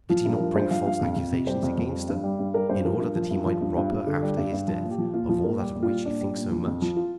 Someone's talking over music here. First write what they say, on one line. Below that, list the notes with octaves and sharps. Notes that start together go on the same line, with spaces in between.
Did he not bring false accusations against her, in order that he might rob her after his death of all that of which you think so much?
F3 F4
G2
A#4
F3
G2 C5
F3 F5
G2 F5
F2
F2
C3
G3 C5
F2
F2
G3
G2
G3
G2
G3 A#4
G2 C5
F3 A#4
G2
F3
G2
F3
G2
G2 F4
G2
D3
G3
G2
G2
F3 F4
A#2
G4
F3
A#2 F4
F3 F4
A#2 A#4
G3 G4
A#2
F4
G3
A#2 D4
G3
A#2
F3
F2
F3
F4